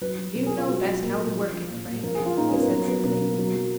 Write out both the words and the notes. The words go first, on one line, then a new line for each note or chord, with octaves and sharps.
"You know best how to work it, Frank," he said simply.
F#3 B4
F#3
B2 A#4
G#4
B2
F4
F#3 F#4
F#3
A#2 A#4
A#2
F3
F3
A#2
A#2
F3 A#4
G#4
F3
F4
A#2 D#4
C#4
A#2 A#3
B3
F#3 A#3
F#3 B3
B2 A#3
B2
F#3
F#3